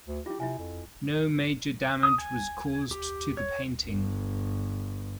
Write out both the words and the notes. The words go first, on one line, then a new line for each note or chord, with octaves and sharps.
No major damage was caused to the painting.
D2
E4 F4 G4
C3 E4 F4 G#5
F2
D#6
G#5
G4
C#5
G1